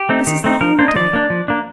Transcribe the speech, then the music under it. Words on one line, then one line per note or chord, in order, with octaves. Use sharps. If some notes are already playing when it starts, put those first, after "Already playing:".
This is the home day.
Already playing: G4
A3 C4 D#4
D#3
A3 C4 D#4
F3 A#4
A#3 D4 C5
D#5
F3 D5
A#3 D4
F3
A#3 D4